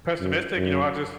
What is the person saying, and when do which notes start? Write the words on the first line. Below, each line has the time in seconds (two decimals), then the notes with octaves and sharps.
pessimistic, you know, I just
0.21 F#2
0.57 F#2